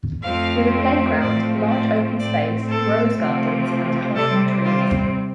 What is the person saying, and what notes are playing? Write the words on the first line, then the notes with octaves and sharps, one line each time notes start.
With a playground, large open space, rose gardens and climbing trees.
F2 F3 A3 C4 F5
A2 F3 A3 C4 D5
D5
A2 A3 C4 D5
A4
C3 F3 A3 C4
C3 G3 C4 A4
F4